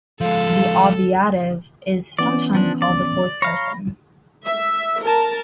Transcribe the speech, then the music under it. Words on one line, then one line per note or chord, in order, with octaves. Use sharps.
The obviative is sometimes called the fourth person.
F3 G#3 A4 F5
E3 B3 C#4 D5
F3 D4
D5
C#5 F5 A#5 B5 A#6
E5
A#4 A5